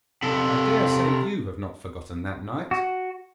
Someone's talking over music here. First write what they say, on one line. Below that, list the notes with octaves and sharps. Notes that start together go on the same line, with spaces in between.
I dare say you have not forgotten that night!
C3 A4
F#4